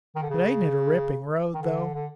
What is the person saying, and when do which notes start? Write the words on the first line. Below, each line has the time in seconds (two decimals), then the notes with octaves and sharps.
But ain't it a ripping road, though?
0.16 D#3
0.23 D3
0.30 C#3
1.54 D#3
1.62 D3
1.95 D3